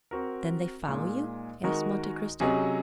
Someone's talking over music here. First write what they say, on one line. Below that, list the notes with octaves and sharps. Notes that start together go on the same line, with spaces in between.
"Then they follow you?" asked Monte Cristo.
C4 F#4 A#4
A#2 G#3 D#4
D#3 G#3 D#4 F#4 A#4
C3 F#3 C#4 G#4 D#5